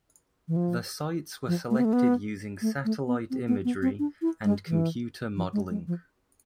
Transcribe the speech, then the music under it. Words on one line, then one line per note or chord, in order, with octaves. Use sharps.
The sites were selected using satellite imagery and computer modeling.
E3
F3
F3
A3
B3
A3
B3
A3
A3
B3
C4
B3
B3
C4
D4
E4
G#3
E3
F3
G#3
G#3
F3